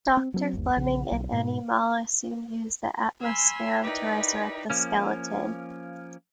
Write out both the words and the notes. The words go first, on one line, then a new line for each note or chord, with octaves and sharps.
Doctor Fleming and Animala soon use the atmosphereum to resurrect the Skeleton.
C4
F#3 A#3 C4
G1 D#2
A#1 C#3
B1
G#2 B2
G#5 B5 C6 E6 F6 G#6
D#4 E4 G4 A#4 B4 D5
F3 A#3 C#4